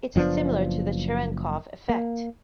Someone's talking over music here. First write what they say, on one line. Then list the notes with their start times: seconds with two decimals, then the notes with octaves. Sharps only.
It is similar to the Cherenkov effect.
0.16 F#1 F3 B3 D4
1.89 A#3